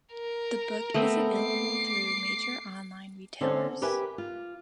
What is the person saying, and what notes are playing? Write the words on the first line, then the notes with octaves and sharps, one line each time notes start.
The book is available through major online retailers.
A#4
A3 B3 C4
D6 C7
D3 C4 C#4 D#4 A4 C5
G4 A#4 B4 E5 G#5
F4